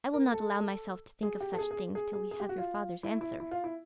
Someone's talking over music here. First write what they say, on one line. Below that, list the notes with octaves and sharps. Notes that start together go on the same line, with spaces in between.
I will not allow myself to think of such things, till we have your father's answer.
A#4
A4
G#4
G4
A4
G#4
G#4
G#4
G#4
G#4
G4
F#4
F4
E4
E4
E4
F4
E4